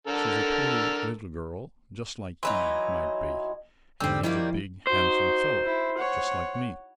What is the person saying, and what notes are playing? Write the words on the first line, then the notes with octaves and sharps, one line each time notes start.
She's a pretty little girl--just like Eve might be; and he's a big, handsome fellow--just like me.
D3 A4 A#4
E3 F#3 D#4 B5 C6
G#2 D3 G3 C4 E6
D#3 F3 G3 A#3 E4
D#4 F#4 C5
E4
C#5 F#5